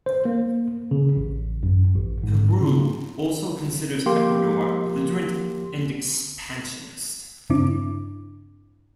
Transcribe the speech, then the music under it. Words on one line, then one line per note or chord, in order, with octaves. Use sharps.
Peru also considers Ecuador belligerent and expansionist.
C5
A#3
C#3
A1
F#2
A1
G#2
C#3
F3 A#3 G4 C6
G2 C#3 C4 D4 E4 D6